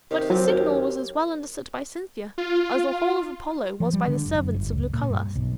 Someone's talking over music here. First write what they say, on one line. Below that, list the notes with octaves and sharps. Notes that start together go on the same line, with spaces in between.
But the signal was as well understood by Cynthia as the "Hall of Apollo" was by the servants of Lucullus.
C3 D#3 G4 F5
F#3 C4 F4 D5
D#2 A#3 C#4
F4
F3
G3
D3
F#1
F#2
G1
C#2
A#2
G2
B1